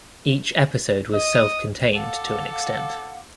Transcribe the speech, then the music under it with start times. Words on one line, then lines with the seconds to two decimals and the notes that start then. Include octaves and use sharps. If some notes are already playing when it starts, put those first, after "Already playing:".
Each episode was self-contained to an extent.
1.14 D#5 D#6
1.95 A4 F5 F#5 D6